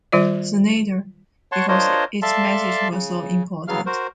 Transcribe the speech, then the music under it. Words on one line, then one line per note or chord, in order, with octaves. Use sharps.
Senator, because its message was so important.
D#3 G3 F4 D5
C#5 F#5 A5 C6 C#6
D4 F4 A#4 C5 C#5 D#5
A4 D5 E5 F5 A5 C6
C#3
E2 C#3 F#3 B3 F5 F6
F#4 A#4 C5